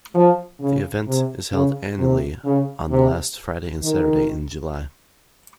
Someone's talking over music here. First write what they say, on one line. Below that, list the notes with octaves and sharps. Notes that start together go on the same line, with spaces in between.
The event is held annually on the last Friday and Saturday in July.
F3
C#3
C3
C#3
C3
C#3
C3
D#3